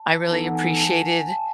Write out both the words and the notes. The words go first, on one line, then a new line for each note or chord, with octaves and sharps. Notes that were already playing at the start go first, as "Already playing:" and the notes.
I really appreciated,
Already playing: A5
E3 B3 D#4 A4 A5
F#5
G#5
A5
G#5
G#5
A5